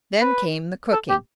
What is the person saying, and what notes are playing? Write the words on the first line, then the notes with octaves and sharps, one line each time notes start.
Then came the cooking.
B4
A4
G4